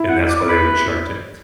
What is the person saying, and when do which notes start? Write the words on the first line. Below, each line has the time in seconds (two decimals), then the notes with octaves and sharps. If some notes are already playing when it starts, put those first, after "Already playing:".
and that's why they were in Shark Tank,
Already playing: E4
0.09 F#5
0.29 D5
0.49 B4